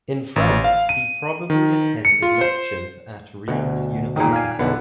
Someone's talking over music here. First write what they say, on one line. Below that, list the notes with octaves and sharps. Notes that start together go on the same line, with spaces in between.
In France he probably attended lectures at Rheims University.
A1
F5
D#7
D#3
C#7
F4
C5
D2 B2
A#2 D#3
F5 G#5
B1 D3 B3 E4